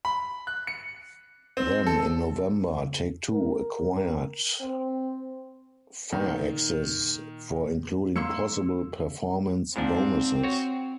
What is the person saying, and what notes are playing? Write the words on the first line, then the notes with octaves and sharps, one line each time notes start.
Then in November, Take-Two acquired Firaxis for including possible performance bonuses.
B5
F#6
C#7
C4
A4
A#4
C4
A#2 D#3
F#3 A#3 C6 E6 C#7
G#2 F3 C4 D4
F#4 C#5